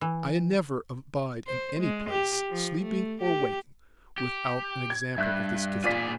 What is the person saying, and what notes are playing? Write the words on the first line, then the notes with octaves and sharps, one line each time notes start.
I never abide in any place, sleeping or waking, without an example of this gifted work.
E3
C5
G#3
G4
F3
A3
G4
G4
G#6
G2 E5 F#6
A#2 F4 G#4 D5 B6